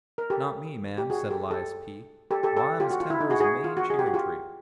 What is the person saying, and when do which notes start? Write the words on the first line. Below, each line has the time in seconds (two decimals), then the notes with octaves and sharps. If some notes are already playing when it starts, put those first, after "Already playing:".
'Not me, ma'am,' said Elias P. 'Why, I'm as tender as a Maine cherry-tree.
0.18 A#4
0.30 G4 A4
0.98 G4
1.10 F#4 G#4
1.31 G4 A4
1.51 G4 A4
2.31 G4 A4
2.43 G4 A4
2.57 G4 A4
2.80 F4 G4
2.91 F#4
3.00 F4
3.10 E4
3.21 D#4
3.30 F#4 G#4
3.40 F#4 G#4
3.64 F4
3.77 F#4
3.90 G#4
3.99 G4
4.06 F#4
4.14 F4 G4